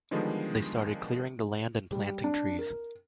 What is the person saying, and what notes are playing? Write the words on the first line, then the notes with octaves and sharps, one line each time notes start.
They started clearing the land and planting trees.
D3 D#3 F3 G3 G#3 B3
G3
D4
A#4